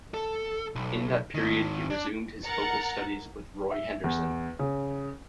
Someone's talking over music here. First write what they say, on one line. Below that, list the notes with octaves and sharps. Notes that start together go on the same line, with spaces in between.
In that period he resumed his vocal studies with Roy Henderson.
A4
B1
G#2 D#3
D4
A#4 F#5 A#5 F#6 A6 C#7
E5
E2
C#3